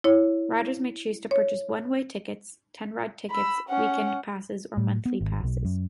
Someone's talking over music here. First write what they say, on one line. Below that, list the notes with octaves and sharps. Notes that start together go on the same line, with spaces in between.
Riders may choose to purchase one-way tickets, ten-ride tickets, weekend passes or monthly passes.
E4 C#5
C#5
B5 E6
C#4 F#5
A2
B3
G#1
B1
F#2